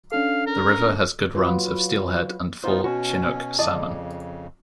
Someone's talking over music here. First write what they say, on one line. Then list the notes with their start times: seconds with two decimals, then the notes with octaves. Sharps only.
The river has good runs of steelhead and fall Chinook salmon.
0.12 C#4 D4 A4 F5
0.47 A#4
1.35 F#3 F4 F#4 B4
2.64 B3 D#4 F4 C5
2.84 B2 C#4 F#4
3.59 F2 C#3 D5 D#5 A5